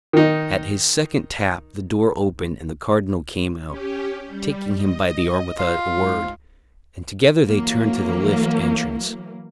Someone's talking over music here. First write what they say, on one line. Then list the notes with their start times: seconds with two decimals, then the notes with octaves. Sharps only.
At his second tap the door opened and the Cardinal came out, taking him by the arm without a word; and together they turned to the lift entrance.
0.13 D#3 D#4
3.67 C#4 G4
4.26 G3
4.75 D#5
5.59 F4
5.95 G#2
7.46 E3 F#3 A#3